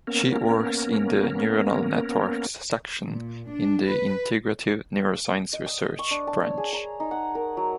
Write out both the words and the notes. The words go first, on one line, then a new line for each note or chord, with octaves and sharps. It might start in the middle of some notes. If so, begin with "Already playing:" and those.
She works in the neuronal networks section in the integrative neuroscience research branch.
A#3 B3 C#4 A#4
A#2
D4
B4
D#5
D#6
C#6
D4
A5
C#5
G#4
A#5
D#4
F#5
A#4
F#3